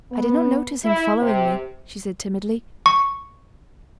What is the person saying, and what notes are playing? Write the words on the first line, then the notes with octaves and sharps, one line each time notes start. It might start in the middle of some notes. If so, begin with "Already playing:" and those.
"I did not notice him following me," she said timidly.
B3
E4
C3
C#6